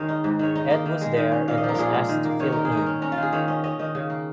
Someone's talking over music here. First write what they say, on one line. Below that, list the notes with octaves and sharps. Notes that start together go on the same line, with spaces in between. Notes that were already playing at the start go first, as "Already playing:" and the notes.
Ed was there and was asked to fill in.
Already playing: D#3 G#3 A#4 C#5
D#4
G#2
D#3 C#5
D#4 D#5
A#3 D#5
D#3
G#3
D#3
C#4
A#2 F5
D#5
F3 A#4
A#2 F4 G#4
G#3
D#3
A#3
D#3 C#5
D#4 A#4
G#4
D#3
A#4
C#4
C#4 A#4
F4
D#3
G#4
D#3 C#5
C#4 D#5
C#4 D#5
D#3 D#5
C#3
A#3